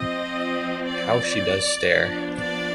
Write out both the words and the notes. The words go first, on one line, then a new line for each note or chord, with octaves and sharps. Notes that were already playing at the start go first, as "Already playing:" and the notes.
How she does stare!
Already playing: F3 C4 D#5
D5
F3 B3 D4
D5